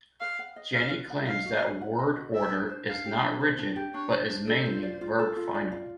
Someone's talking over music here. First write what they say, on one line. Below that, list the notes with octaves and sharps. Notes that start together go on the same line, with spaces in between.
Jany claims that word order is not rigid but is mainly verb-final.
B4 F5
F#5
D#5
F#4 F5
B4
F#5
D#5 F5
F#4
B4
F#5
D#5
F#4
G4 E5
D4
C5
D4 F5
G4
D4
C5
D4
G4
D4 C#5
C5
D4
A4 C5
F4
D5
F4
A4
F4
D5
F4